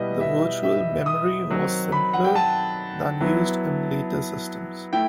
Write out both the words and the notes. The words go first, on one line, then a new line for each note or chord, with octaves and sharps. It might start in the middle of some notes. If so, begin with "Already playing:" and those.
The virtual memory was simpler than used in later systems.
Already playing: B2 G3 B3 E4 D#5
E5
E5
D#6
D#3 F#3 C4 D#4
B5
F#5
G5
A5
F#3 B3 E4
A3 E4 G5